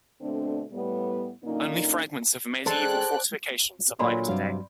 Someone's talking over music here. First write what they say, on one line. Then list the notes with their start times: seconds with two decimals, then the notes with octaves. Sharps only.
Only fragments of the medieval fortifications survive today.
0.21 B2 D3 A3 C4 D4
0.73 A2 G3 B3
1.45 F#2 A#2 D3 A#3 C#4 D#4
2.66 G#3 C#4 A4 C5 D5 G5 F#6
3.99 A#2 D3 F#3 D5 B5 C6
4.29 G2 C3 F#3 F5